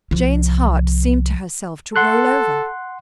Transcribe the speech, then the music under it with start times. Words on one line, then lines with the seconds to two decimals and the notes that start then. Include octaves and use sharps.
Jane's heart seemed to herself to roll over.
0.11 C2 F3
1.96 A4 F#5 C6 F#6